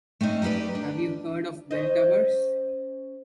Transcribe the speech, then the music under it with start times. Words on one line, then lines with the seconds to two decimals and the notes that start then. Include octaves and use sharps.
Have you heard of bell towers?
0.21 A3 C4 C#4 D#4
0.42 D#4 E4 G4 B4 D5
0.75 D4
1.71 C#4 C5 D#5